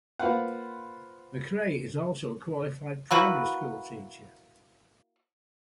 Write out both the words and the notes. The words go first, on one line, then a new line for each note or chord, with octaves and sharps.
McRae is also a qualified primary school teacher.
A#3 F4 B4 C5 F5 F#5
A#3 E4 F#4 B4